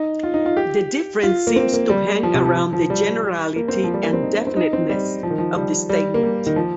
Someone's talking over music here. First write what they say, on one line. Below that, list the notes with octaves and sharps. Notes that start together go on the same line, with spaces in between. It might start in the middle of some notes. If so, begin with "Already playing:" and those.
The difference seems to hang around the generality and definiteness of the statement.
Already playing: D#4
F4
D#4
F4
G4
F4
A#3
C4
A#3
G3
F3
C3
F3
F3
G3
A#3
C4
A#3
F3
G3
A#3
C4
D#4
C4
D#4
C4
G3
F3
D#3
F3
G3
G3
A#3
G3
D#3
F3